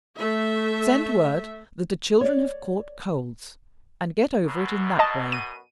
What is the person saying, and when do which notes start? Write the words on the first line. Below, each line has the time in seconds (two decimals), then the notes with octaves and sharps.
"Send word that the children have caught colds, and get over it in that way."
0.17 A3 E5
2.21 C#5 D5
4.44 F#2 B2
4.99 D#5 A5
5.32 D#7